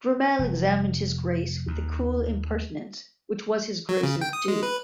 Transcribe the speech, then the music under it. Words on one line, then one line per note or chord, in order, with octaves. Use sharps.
Brummell examined his Grace with the cool impertinence which was his Grace’s due.
F1
D#2
F#3
C#3
G5
D#6
G#3
B4